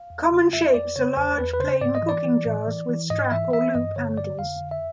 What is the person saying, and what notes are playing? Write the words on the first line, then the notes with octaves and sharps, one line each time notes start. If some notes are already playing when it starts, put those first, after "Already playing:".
Common shapes are large plain cooking jars with strap or loop handles.
Already playing: F5
E2
C#3
F2 E5
F2 D5
C#3 C#5
E2 C5
E2 B4
B4
C#3 C5
G#2 D5
D#5
E3
D5
E3
A2
E3
E3
G#2 D#5
E3 E5
E3 E5
G2 D#5
D3 C#5
D3 D5
F2 F5
D3
E5